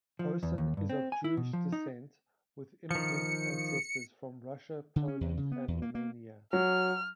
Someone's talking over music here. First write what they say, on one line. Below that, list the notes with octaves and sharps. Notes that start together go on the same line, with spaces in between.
Posen is of Jewish descent, with immigrant ancestors from Russia, Poland, and Romania.
F3
E2
D#2
G2
C4
G#5
E4
B2
F3
D#4
D#3 F3 C#7
D3
C#4
E2
C#3
B3
E2
A#3
A#3
F#3 F6